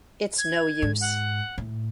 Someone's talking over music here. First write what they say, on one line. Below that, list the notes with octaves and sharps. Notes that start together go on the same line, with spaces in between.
It’s no use.
G#6
G#2
F#5
A2